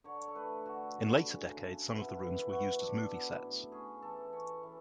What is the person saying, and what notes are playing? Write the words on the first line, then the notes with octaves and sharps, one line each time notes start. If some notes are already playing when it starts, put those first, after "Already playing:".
In later decades some of the rooms were used as movie sets.
D3 C#5
A4
A3 B4
D3 F#4
D3
C#3
C#3
B3 E4
E3 E4
B3 F#4
D4
B3
A2
C#4 G#4
E3 A4
C#4 C#5
E3